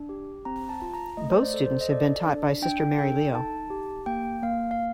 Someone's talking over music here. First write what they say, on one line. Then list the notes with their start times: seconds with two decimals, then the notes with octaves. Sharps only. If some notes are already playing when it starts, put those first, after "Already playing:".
Both students had been taught by Sister Mary Leo.
Already playing: D4
0.09 G4
0.45 C4 A#5
0.69 A5
0.82 F4
0.94 A#5
1.17 A3 D#5
1.30 C5
1.42 D5
1.54 A4
1.66 C5
1.81 D#5
1.89 A4 D5
2.26 D4
2.62 D4 G5
2.98 A4 G5
3.34 D#4 A5
3.70 G4
4.06 A#3 G5
4.42 A#3 F5
4.71 F5